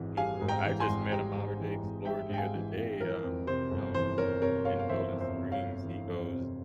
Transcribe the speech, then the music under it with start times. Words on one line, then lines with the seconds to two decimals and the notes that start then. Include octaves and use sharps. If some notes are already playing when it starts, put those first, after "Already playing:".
people I just met a modern-day explorer the other day, um, out in in Dolan Springs. He goes
Already playing: G#1 G#2 E3
0.17 G3 F5 G#5
0.41 G#2
0.49 G5 A#5
0.65 E3
0.80 G#5 C6
0.88 G#1
1.12 G3 G5 A#5
1.36 G#2
1.59 E3
1.83 G#1
2.05 G3 E5 G5
2.29 G#2 G5
2.38 F5 G#5
2.54 E3
2.76 G#1
3.00 E3 A#4
3.24 F2
3.47 C3 C5
3.71 G1
3.95 E3 C5
4.18 F2 A#4 C#5
4.42 C3 A#4 C#5
4.65 G1 C#5 F5
4.79 F5
4.89 E3 C5 E5
5.12 F2
5.21 C5 E5
5.36 C3
5.52 C#5 F5
5.60 G1
5.84 E3
6.07 F2
6.30 C3